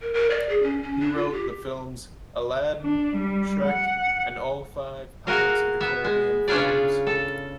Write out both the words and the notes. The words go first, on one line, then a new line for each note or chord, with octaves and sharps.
He wrote the films "Aladdin", "Shrek", and all five "Pirates of the Caribbean" films.
A#4
A#4
D5
G#4
C#4
C#4
D4
F4
G4
D4
G3
F#5
F#4 G#4 A#4 D#5 F5
B3 E5
G#3
C#3 C#4 D4 F4 G#4 D5
A4